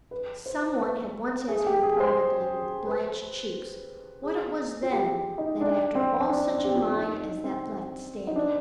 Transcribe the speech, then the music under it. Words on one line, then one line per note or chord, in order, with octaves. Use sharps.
Some one had once asked me privately, with blanched cheeks, what it was then that after all such a mind as that left standing.
B4
C5
B4
G#4
G4
G#4
C5
B4
G#4
F4
G4
D#4
D4
C4
D4
D4
G4
F4
D#4
D#4
C4
D#4
D4